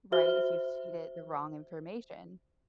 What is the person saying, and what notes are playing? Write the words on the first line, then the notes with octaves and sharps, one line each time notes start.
right, if you feed it the wrong information.
F#4 C5 E5 F6 G7